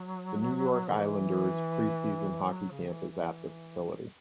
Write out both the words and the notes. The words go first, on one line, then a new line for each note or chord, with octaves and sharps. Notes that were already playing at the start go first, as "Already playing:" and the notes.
The New York Islanders pre-season hockey camp is at the facility.
Already playing: F#3
D#3
E3
F#3
C#3
E3
E3